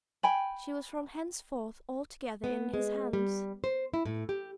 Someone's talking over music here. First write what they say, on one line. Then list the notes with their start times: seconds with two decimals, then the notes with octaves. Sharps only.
She was from henceforth altogether in his hands.
0.23 G5 G#5 B5
2.44 B3
2.74 G#3
3.13 G3
3.64 C5
3.94 E4
4.05 A2
4.29 G4